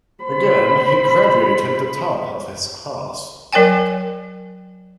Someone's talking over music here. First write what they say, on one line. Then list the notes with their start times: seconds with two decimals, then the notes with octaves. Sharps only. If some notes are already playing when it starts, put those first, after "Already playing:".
Again, he graduated the top of his class.
0.24 C5 B5
3.53 F#3 A#4 C#5 G5 G#5